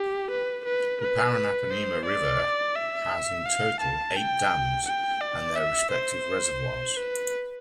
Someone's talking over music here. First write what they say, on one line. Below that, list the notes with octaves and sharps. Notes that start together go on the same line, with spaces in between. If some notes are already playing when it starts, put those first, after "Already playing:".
The Paranapanema River has in total eight dams and their respective reservoirs.
Already playing: G4
B4
B4
B4
C5
D5
E5
F5
A5
G5
G5
D5
E5
C5
B4